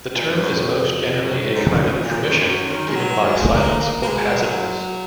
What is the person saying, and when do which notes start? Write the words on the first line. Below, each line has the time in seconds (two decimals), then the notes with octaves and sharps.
The term is most generally a kind of "permission" given by silence or passiveness.
0.14 A#2
0.29 F#2
0.43 F#2
0.57 F2
0.71 F2
1.23 F2
1.27 F#2
1.42 G#2
1.55 G#2
1.69 F#2
1.83 F#2
1.97 A#2
2.11 A#2
2.25 F#2
2.39 F#2
2.68 D#3
2.88 G#3
2.95 F#3
3.24 G#3
3.52 A#3
3.80 A#3
4.03 A#3
4.08 G#3
4.36 F#3